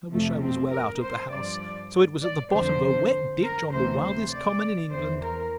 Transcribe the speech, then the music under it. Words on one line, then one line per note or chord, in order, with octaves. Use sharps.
I wish I was well out of the house; so it was at the bottom of a wet ditch, on the wildest common in England.
F2 C3 F3 A3
C4
A#4
C5
G2 F3 D5
D5
F2 D3 F3 C5
A#4
D2 C3 E3 C5
C5
D5
E2 E3 C5
A#4